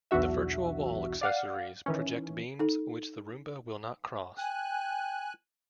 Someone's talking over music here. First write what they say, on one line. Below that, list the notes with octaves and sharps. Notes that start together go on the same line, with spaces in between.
The virtual wall accessories project beams, which the Roomba will not cross.
B1 E2 E3 D4 F#4 E5
D5 F5 F#5
D#3 E3 C#4
D#4 A4
G5 G#5 F#6